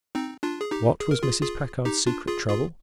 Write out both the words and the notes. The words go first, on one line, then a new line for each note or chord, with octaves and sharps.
What was Mrs. Packard's secret trouble?
C4 D#4
D4 F4
G#4
D#4 G4
G#4
A#4
F4 G#4
F4 G#4
D#4 G4
D4 F4
F4 G#4
F4 G#4